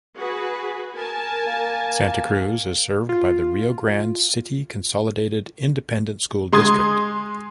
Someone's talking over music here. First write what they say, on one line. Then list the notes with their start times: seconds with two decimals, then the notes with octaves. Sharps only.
Santa Cruz is served by the Rio Grande City Consolidated Independent School District.
0.16 F#4 G#4 B4
0.96 A#4 G#5 A5
1.47 A#3
3.09 F4
6.53 G#3 C6 D#6 G#6